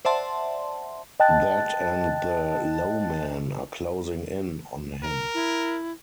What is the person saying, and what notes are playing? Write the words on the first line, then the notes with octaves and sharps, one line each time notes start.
That and the "low men" are closing in on him.
C5 D5 E5 F#5 A5 C6
D#5 G5 A5 F#6 A6
A#4
E4